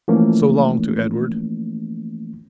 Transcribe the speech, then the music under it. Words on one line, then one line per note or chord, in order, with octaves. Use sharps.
"So long," to Edward.
E3 F3 A3 A#3 C#4